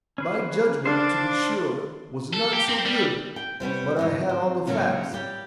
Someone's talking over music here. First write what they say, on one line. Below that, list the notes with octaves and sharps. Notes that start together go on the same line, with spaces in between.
My judgement, to be sure, was not so good; but I had all the facts.
C#4 B4 C5
D4 C5 F5 C6
A4
G4
C4
G3
G5
C3 G3 B3 C#4
F2 G#2 G#3
C4
G#2 C#3 F#3 A#3 D4
G3 G4